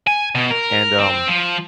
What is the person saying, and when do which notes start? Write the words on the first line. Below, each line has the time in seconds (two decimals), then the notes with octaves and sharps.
and, um
0.07 G#5
0.35 B2
0.51 A#4
0.99 C4
1.29 F3